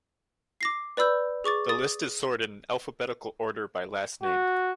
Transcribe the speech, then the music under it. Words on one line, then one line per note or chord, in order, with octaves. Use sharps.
The list is sorted in alphabetical order by last name.
D6 A#6 C7
B4 D5 B5 E6 G6
G#4 C#6 D6 A6
D#6 A6
F#4